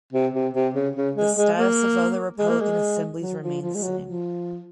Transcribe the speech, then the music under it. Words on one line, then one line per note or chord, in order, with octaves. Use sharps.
The status of other republican assemblies remained the same.
C3
C3
C3
C#3
C#3
G#3
G#3
A#3
G#3
A#3
G#3
F#3
F3
F3
G#3
F#3
F3